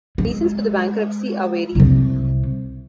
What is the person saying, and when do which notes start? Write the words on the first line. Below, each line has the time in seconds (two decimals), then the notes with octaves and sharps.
Reasons for the bankruptcy are varied.
0.18 G#3
1.75 C2 C3